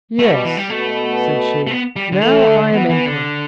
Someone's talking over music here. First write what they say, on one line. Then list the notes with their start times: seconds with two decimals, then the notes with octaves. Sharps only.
"Yes," said she; "now I am emperor."
0.19 B2 A3
0.32 G3
0.45 E3
0.57 G3
0.70 B2 A3
1.67 A3
1.71 B3
1.96 G3
2.12 D3
2.21 E3 A3
2.47 D3
2.72 E3 B3
2.89 E3
3.06 D3